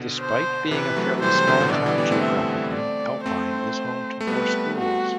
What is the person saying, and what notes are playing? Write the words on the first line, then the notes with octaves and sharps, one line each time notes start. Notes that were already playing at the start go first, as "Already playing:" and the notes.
Despite being a fairly small town geographically, Alpine is home to four schools.
Already playing: B2 D3
C5
C3 E3 B4
F#3 A3
E3 G3 C5
C3 E3
B2 D3
A2 C3
B2 D3 D5
E3 G3
G3 B3
A3 C4
E5
D5
A3 C4 C5
A3
G3 B3 B4
F#4